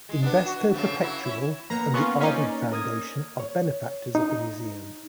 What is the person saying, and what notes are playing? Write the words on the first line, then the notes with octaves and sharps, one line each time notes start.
Invesco Perpetual and The Arbib Foundation are benefactors of the museum.
G#3
B3 D4
F#4
C#3 F3 A3
F#3 E4
C#4 E4
A#3 B3 A#5
B3 C#4 F4 C#6
C#4 D#4 C5 D5
A#4 D#6 G#6
C#5
D#4